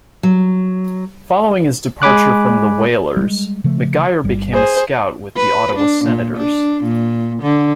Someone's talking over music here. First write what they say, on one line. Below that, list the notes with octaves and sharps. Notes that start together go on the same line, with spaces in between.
Following his departure from the Whalers, McGuire became a scout with the Ottawa Senators.
F#3
G#3 G#5 B5 D6 F#6
G3 G#3
C#3 F3 A3
G1 G3
G#4 C5
B4
D4
A#2
D4
A#2
D3